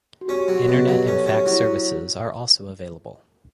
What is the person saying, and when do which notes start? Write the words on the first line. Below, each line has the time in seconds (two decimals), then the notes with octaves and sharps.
Internet and fax services are also available.
0.21 F#4
0.28 C#4 G4
0.48 F#3
0.54 F#4
0.68 B2
0.81 G4
0.88 F#3
1.07 C#4 A4
1.26 C#4 G4
1.46 F#3 E4